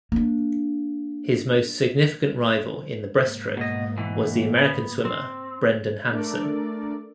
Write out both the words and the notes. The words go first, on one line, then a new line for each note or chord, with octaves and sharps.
His most significant rival in the breaststroke was the American swimmer Brendan Hansen.
A#3 D4
G#2 A#3
B2 D#5
B2 E3
B3
C4
A3 D4 A4 A#4 D5